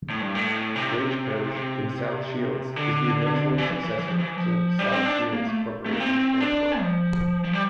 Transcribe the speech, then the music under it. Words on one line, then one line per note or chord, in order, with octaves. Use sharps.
Stagecoach in South Shields is the eventual successor to South Shields Corporation Transport.
A2
G2
A2
C3
C3
D3
E3
E3
E3
E3
F3
E3
F3
G3
C4
D4
A#3
A3
A3
A#3
C4
D4
F3
F3
G3